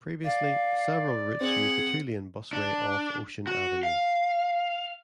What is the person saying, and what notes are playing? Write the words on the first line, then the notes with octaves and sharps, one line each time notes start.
Previously, several routes used a two-lane busway off Ocean Avenue.
D5 F5
C4 G#4 F#5
D4
F#4
F5